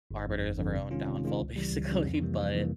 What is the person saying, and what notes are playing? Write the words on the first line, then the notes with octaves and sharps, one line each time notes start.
arbiters of our own downfall, basically, but
G1
F2 D3
G1
F2 D3
C3
D#3 G#3 C#4 F4
C3
D#3 G#3 C#4 F4
C#2
C#3 E3 G3
C#2
C#3 E3 G3
F2
C3 E3 G3 A#3
F2
C3 E3 G3 A#3